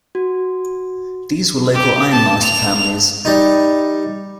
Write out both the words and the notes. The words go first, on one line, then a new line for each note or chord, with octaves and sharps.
These were local ironmaster families.
F#4
G4
A5
F7
G3 D#4